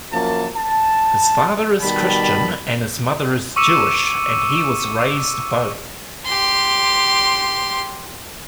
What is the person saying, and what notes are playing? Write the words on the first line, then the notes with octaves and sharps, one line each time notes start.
His father is Christian and his mother is Jewish, and he was "raised both".
F#2 F3 A#3 A5
A5
B2 D#3 G3 A5 B5
C#6 D6 E6 C#7 D#7 E7
G4 C6